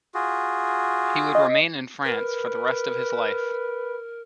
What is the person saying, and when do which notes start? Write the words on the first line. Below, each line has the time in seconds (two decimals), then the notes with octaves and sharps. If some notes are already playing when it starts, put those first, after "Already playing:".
He would remain in France for the rest of his life.
0.14 F4 F#4 G#4
1.35 D#5
2.05 A#4 B4